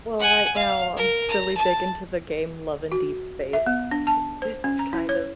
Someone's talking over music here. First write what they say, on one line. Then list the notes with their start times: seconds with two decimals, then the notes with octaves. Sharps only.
Well, right now I'm really big into the game Love and Deepspace. I It's kind of
0.19 F#5 G#5
0.55 F5
0.97 A#4
1.28 A#5
1.57 A5
2.92 F#4
3.53 E5
3.67 B3
3.91 D4
4.07 A5
4.42 C5
4.64 C#4
4.79 A#5
4.93 E4
5.09 C#5